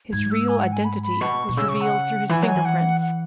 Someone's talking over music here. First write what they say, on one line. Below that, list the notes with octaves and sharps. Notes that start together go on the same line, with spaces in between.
His real identity was revealed through his fingerprints.
G#2 G#6
E6
G#5
F#5
G#5
B5
B5
B2 C#6
B2
C#3 E6
C#6
F#5
E3 G#5
F#3 G#5
E3
F#5
F#5